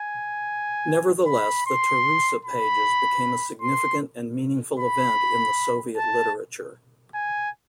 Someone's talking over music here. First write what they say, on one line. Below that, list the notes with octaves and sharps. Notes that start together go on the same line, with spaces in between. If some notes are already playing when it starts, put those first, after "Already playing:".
Nevertheless, the "Tarusa Pages" became a significant and meaningful event in the Soviet literature.
Already playing: G#5
B5
C6
B5
C6
B5
A5
G#5